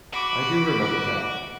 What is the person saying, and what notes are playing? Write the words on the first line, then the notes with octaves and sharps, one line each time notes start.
I do remember that.
F#4 B5 D6